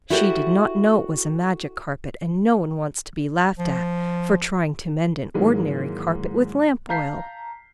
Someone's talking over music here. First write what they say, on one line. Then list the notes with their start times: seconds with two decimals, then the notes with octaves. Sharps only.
She did not know it was a magic carpet, and no one wants to be laughed at for trying to mend an ordinary carpet with lamp-oil.
0.10 E4 F#4 G4 A4 B4 C5
3.59 F3
5.34 G#2 D#3 E3 F#3 G#3 A#3
6.89 F5 A5 A#5 G6 B6 C7